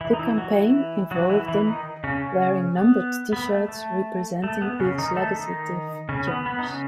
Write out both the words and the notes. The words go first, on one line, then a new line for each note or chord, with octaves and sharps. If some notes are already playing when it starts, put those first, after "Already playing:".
The campaign involved them wearing numbered T-shirts representing each legislative change.
E3 E4
D#4
E3 E4
F#3 F#4
E3 E4
F#3 F#4
E3 E4
E3 E4
D#3 D#4
C#3 C#4
C#3 C#4
B3
B3
A3
A3
A3
B3
C#3 C#4
D#3 D#4
A3 A4
D#3 D#4
C#3 C#4
B3
B3
D#4
C#3 C#4